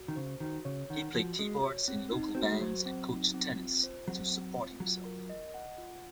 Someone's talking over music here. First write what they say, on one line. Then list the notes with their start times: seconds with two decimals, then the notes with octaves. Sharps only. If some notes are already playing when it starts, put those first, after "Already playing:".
He played keyboards in local bands and coached tennis to support himself.
Already playing: F#4
0.08 D#3
0.16 C#3 C5
0.40 D#3 F#4
0.65 C#3 C#5
0.90 D#3 F#5
1.14 F3 F#4
1.38 G#3 F#4
1.63 C#5
1.88 C4
2.12 D#4
2.35 C4 F#4
2.43 A#3
2.52 G#3
2.60 F#3 C5
2.86 C4
3.09 D#4
3.34 C4
3.59 F4
3.83 C5
4.08 F#3 C4
4.31 C4
4.56 F4
4.80 F#3 F4
5.05 A#4
5.30 D#5
5.54 F#5
5.78 F4